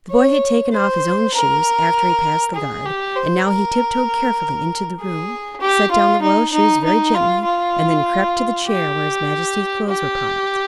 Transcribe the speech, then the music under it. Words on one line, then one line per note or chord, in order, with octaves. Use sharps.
The boy had taken off his own shoes after he passed the guard and now he tiptoed carefully into the room, set down the royal shoes very gently and then crept to the chair where his Majesty's clothes were piled.
C#5
C5
A#4
G#4
G4
C5
A#4
G#4
G4
F4
D#4
D#4
D#4
F4
F4
G4
G4